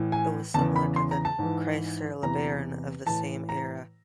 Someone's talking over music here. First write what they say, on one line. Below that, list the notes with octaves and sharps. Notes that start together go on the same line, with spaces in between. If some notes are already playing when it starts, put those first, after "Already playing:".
It was similar to the Chrysler LeBaron of the same era.
Already playing: A2 E3
G#5
E2 C#3 E3 A5
B5
C6
A#5
A5
G#2 E3
E2 C3 E3 A#5
A2 E3 A5
A#5